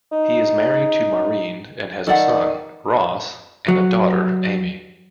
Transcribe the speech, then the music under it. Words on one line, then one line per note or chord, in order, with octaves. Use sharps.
He is married to Maureen and has a son, Ross and a daughter, Amy.
D#4
D#3 A4 D5 F#5
F#3